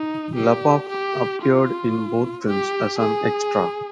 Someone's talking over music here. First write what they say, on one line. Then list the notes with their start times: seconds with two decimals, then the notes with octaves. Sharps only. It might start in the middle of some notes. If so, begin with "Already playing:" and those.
Lupoff appeared in both films as an extra.
Already playing: D#4
0.36 G4
0.89 G4
1.42 F4
2.47 G4
2.99 G#4